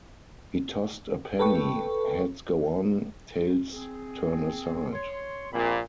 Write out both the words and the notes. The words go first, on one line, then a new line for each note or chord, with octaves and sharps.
He tossed a penny — heads go on, tails turn aside.
A4 B4 G5 C#6
C4 G#4
C#5 C6
A#1 A#2 C4 B5